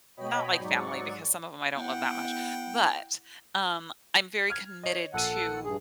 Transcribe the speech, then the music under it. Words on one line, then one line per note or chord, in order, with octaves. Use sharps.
not like family because some of 'em I don't love that much. But, um, I'm very committed to
B2 C#5 D#5 G5 B5
G#2 F#3 D5 C#6
B3 E4 F#5 G5
F6 G#6
C#5 D#5
A#1 A4 F#5 D#7
G2 G#4